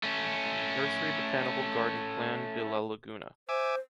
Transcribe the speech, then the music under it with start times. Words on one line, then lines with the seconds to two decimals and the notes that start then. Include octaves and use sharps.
Nursery Botanical Garden Plan de la Laguna.
0.03 A3 C#4
3.49 C5 E5 G#5 D6